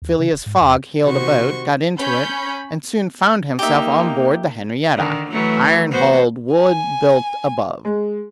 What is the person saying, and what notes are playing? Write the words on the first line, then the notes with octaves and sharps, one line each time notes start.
Phileas Fogg hailed a boat, got into it, and soon found himself on board the Henrietta, iron-hulled, wood-built above.
D#2
C#3
D#1
G#2
E2
C3 D#3 F#4 C5 C#6
C#4 C#5 B5 G6
A#3 D#4 G4 E5
D3 D#3
E3 F#3 A3
B3 F#4 C5
G#5
G#3